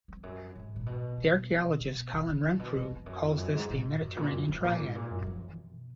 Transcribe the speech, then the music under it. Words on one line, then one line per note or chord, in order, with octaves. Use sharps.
The archaeologist Colin Renfrew calls this the "Mediterranean triad".
F2
F#2
G#2
A#2
B2
B2
B2
B2
F2
D#3
D3
A#2
B2
F2
F2
F#2
F2
F#2
G#2
A#2
G#2
F#2
A#2
F#2
F#2
A#2
G#2
A#2
F#2
F#3
F3
B2